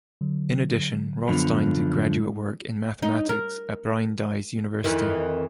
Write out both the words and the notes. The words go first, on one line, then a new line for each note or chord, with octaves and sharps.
In addition, Rothstein did graduate work in mathematics at Brandeis University.
D3 F#3
F#2 D3 F3 B3 B5
G#3
D#4
A#4
F2 D#3 E3